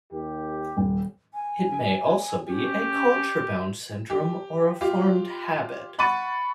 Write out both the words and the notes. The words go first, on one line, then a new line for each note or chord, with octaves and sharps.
It may also be a culture-bound syndrome or a formed habit.
D#2 G4
D#1
G#5
C#4 G4
G4
F4 G4
F#5 B5 C#6 A6 D#7